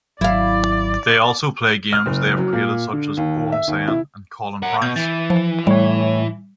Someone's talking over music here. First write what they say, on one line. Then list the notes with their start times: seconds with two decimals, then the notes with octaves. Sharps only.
They also play games they have created such as "Poem Sayin" and "Callin Pranks".
0.21 G#1 F#3 E4 D5 F5
1.93 F6
2.06 F#1
2.37 F#3
2.53 A#2
2.93 D3
3.17 D#2
3.52 E5
3.68 D#2
3.87 E4
4.62 A#4 F#5
4.82 B2 G6
4.96 E3 A6
5.30 F3
5.67 A2 G3 C#5